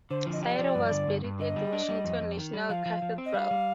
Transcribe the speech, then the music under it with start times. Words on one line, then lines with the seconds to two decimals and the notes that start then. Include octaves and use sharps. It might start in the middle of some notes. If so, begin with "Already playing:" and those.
Sayre was buried at Washington National Cathedral.
0.10 D3 C5
0.26 F3
0.32 D#5
0.43 G4 D#5
0.53 D5
0.59 F3
0.75 G2
0.91 D3
1.07 G2
1.24 G2
1.39 D3 D#5
1.56 G3
1.73 D4
1.89 G3
2.04 F2
2.21 F2
2.38 D#3
2.53 G3
2.69 F3 F5
2.86 F3
3.02 F3
3.18 C4
3.25 D#5
3.34 G3 F5
3.51 G3